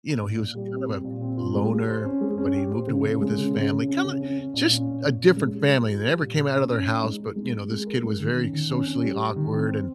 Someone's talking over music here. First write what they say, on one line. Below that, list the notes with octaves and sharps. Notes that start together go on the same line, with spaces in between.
you know, he was kind of a loner, but he moved away with his family. Kinda just a different family, they never came out of their house, but, you know, this kid was very socially awkward, and
A#2
A#2
G3
C4
G3
A#2
C4
F4
G#3
G4
C5
C#4
G#3
C#4
G4
C5
C#3
C#3
G#3
C#3
C#3
C#3
C#4
C#3
C#4
C#4
A#2
C#4
A#2
A#2
C#4
G#3
G3
G3
F4
G3
A#2
A#2
C#4
C#4
D#4
G#3
D#4
G#3
G#3
G#3
A#4
G#3
D#3
C#4
D#3
C#4
C#4
G3
G3
D#3
C4
C5